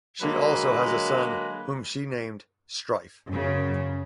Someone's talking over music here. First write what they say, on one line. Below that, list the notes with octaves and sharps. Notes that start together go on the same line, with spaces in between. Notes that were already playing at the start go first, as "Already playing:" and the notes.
She also has a son whom she named Strife.
D3 F#3 G#3 A#3 B4
F#2 C#3